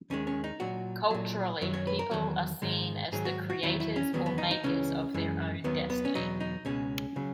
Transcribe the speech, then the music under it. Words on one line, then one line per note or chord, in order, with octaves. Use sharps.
Culturally, people are seen as the creators or makers of their own destiny.
D#2 D#3 G#3 C#4
C#4
D#4
A#2 F#3 F#4
A#2 F#3
F#2 D#3 F#3
C#5
B4
A#4
E2 D#3 F#3
G#2 D#3 G#3
G#2 D#3 F#3 G#4
F#4
F#4
E2 D#3 F#3 E4
E4
C#4
E2 D#3 F#3 B3
B3
D#4
D#4
C#2 C#3 E3 C#4
F#2 E3 G#3
D#2 D#3 F#3 B3
B3
C#4
E2 B2 F#3 D#4
D#4
C#2 B2 G#3 C#4
C#3 F#3